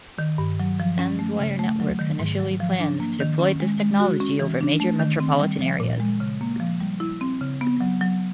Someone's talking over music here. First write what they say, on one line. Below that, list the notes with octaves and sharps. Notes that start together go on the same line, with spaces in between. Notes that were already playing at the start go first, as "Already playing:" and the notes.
Sanswire Networks initially plans to deploy this technology over major metropolitan areas.
D#3
G2
F#3
F3
C#4
A3
C#3
A3
F#3
D#3
G#2
F#3
F3
D4
A#3
D#3
C#4
G#3
G#3
F#4
C#4
E3
D4
A3
D#3
C4
G3
F3
A#2
G#3
C#3
A#3
F3
G3
E4
C4
C#3
B3
F#3
F#3